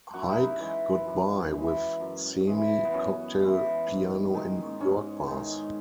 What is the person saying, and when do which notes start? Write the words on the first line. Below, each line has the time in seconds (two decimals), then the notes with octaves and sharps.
Haig got by with semi-cocktail piano in New York bars.
0.14 F#2 F#4
0.22 E4
0.29 D#4
0.37 E4
0.60 E3 G#3
1.07 F#2
1.54 E3 G#3
2.00 F#2
2.47 E3 G#3
2.85 B3
2.93 F#2 C#4
3.40 E3 G#3
3.87 G#2
4.34 D#3 G#3
4.80 G#2 C#4
5.27 D#3 G#3